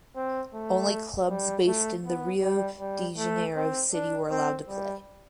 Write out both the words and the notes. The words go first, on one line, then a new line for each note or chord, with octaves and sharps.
Only clubs based in the Rio de Janeiro city were allowed to play.
C4
A3
G3
A3
B3
G3
G3
A3
C4
D4
C4
G3